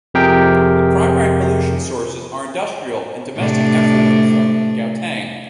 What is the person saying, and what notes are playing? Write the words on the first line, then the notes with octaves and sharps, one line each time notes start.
The primary pollution sources are industrial and domestic effluent from Gauteng.
F2 C3 G4 G#4 A#4 G5
A2 C3 D4